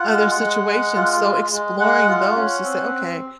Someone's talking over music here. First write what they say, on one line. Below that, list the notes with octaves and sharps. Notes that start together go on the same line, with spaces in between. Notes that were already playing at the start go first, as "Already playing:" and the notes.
other situations; so, exploring those to say, "Okay,
Already playing: F4 F#5
G#3
G#3
G#3
F4
G#3
G#3
G#3 F#5
F4
C#4
C4